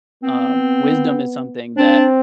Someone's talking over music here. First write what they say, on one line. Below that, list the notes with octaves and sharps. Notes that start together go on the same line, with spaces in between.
Um, wisdom is something that
B3 C4
C4 D4